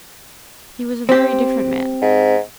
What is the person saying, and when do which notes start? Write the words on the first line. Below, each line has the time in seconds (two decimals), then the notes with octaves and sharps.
He was a very different man.
1.09 C4 G4
2.02 G#2